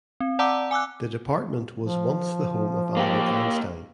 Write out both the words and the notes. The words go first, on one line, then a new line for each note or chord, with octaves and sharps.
The department was once the home of Albert Einstein.
C4
D5 F#5 A5 A#5 D6 E6
G#5 D6 E6 F#6
F3
A#3 G4